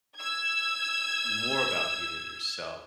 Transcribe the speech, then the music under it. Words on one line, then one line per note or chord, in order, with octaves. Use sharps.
more about healing yourself
E6 G#6